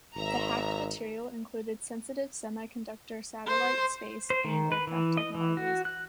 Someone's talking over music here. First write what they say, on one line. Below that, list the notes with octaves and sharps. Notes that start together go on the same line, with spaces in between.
The hacked material included "sensitive semiconductor, satellite, space, and aircraft technologies".
G#1 E5 A#5
C5
C5
D#3
B4
E3
D#5
E3
F#4
F#6